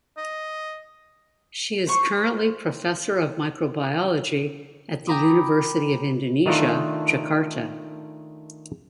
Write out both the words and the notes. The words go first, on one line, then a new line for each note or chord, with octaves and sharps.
She is currently professor of microbiology at the University of Indonesia, Jakarta.
D#5
C5 C#6
G5 G#5 A#5 B5 D6 D#6
D#3 A3 D4 D#4 F4